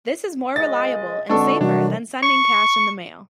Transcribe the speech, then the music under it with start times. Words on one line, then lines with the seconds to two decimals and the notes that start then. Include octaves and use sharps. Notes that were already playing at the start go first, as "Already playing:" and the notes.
This is more reliable and safer than sending cash in the mail.
0.56 C#2 G#3 D#5 A6
1.29 B2 D3 G#3 C4 D4 F#4 A4 C#6
1.61 A2 C3 D#3 E3 F#3 G3 D4 F#4
2.22 C#6